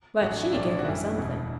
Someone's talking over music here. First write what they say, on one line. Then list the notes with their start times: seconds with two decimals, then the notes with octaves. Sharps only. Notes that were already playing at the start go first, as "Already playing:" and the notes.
But she gave me something.'
0.21 A1 A2 F#3 F#4
0.31 D4
0.42 E4
0.53 B1 A2 G3 D4
0.79 F#4
0.84 G1 F#2 E3 G3 E4
1.16 E1 E2 B2